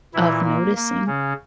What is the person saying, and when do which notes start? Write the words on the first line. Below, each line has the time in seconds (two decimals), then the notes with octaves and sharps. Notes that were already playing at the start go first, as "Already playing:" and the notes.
of noticing
0.14 A#2 E3 E4
0.45 A#3
0.76 A#3
1.07 C#3 C#4